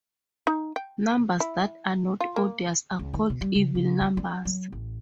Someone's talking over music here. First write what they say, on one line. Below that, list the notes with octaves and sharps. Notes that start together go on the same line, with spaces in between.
Numbers that are not odious are called evil numbers.
D#4
G5
E4
F4
A#3
C#2
D#3
B2
G3
C#3
C#3
F4
D4
F#3
A1